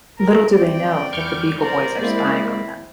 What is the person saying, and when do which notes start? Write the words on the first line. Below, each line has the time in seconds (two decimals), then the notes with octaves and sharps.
Little do they know that the Beagle Boys are spying on them.
0.19 A#4
0.52 C4 D5 G5
1.13 E2 C#6 D6 F6 G6
1.60 A#4 C5 D5
2.01 G#3 A#3 C4 E4